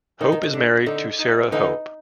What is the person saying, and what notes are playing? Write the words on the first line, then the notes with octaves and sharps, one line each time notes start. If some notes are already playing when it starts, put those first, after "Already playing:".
Hope is married to Sarah Hope.
D#3 D#4
D#3
D#3
D3 D4
D3 D#4
D#4
D3 E3 D#4